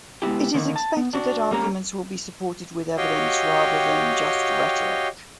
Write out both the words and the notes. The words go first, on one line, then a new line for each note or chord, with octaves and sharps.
It is expected that arguments will be supported with evidence, rather than just rhetoric.
G#3 B3 C#4 E4 G4
D3 D#3 A#3 D#4
A5
B3
D4 F#4
G3 A#3 C#4 A#5
F#4 G4 C#5 D#5 F5 G5